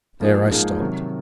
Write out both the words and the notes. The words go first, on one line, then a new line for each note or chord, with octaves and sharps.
There I stopped.
G#2 F3 A#3 D#4 G#4
G#2 F3 A#3 D#4 G#4
C3 D#3 F#3